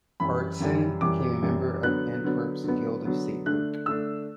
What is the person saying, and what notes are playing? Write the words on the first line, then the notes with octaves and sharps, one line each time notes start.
Aertsen became a member of Antwerp's Guild of Saint Luke.
F#2 E3 G3 B5
F#2 E3 G3
F#2 E3 G3 D6
F#2 E3 G3
D3 F#3 B3 F#6
D3 F#3 B3
D3 F#3 B3
D3 F#3 B3
D3 A3 D4 F#6
D3 A3 D4 E6